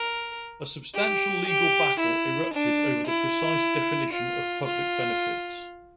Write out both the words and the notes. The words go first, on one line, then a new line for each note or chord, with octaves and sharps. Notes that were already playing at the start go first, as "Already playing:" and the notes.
A substantial legal battle erupted over the precise definition of public benefits.
Already playing: A#4
G4
G4
E4
D4
E4
F4
F4